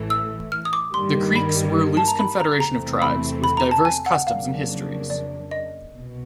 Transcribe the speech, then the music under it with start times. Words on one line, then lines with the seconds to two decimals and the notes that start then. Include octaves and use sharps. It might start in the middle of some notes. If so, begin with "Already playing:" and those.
The Creeks were a loose confederation of tribes with diverse customs and histories.
Already playing: A1 A2 E3 A3
0.10 E6
0.52 F6
0.65 D#6
0.73 D6
0.94 G2 D#3 G3 A#3 C6
1.36 B5
1.97 A5
2.08 A#5
2.19 B5
2.40 A#5
2.60 E2 C3 E3 A3 C4 A#5
3.02 B5
3.44 B5
3.57 A#5
3.71 A5
3.85 G#5
4.06 F#5
4.27 F2 C#3 F#3 A#3 D4 F5
5.10 D5
5.51 D#5
5.93 C2 B2